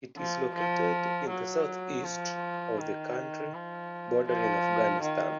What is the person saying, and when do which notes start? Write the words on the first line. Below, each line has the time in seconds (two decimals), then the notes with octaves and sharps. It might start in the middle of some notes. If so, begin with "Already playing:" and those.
It is located in the south-east of the country, bordering Afghanistan.
0.17 F3
0.55 F3
1.29 F#3
2.04 F3
2.78 D#3
3.54 F3
4.28 F3
5.02 D#3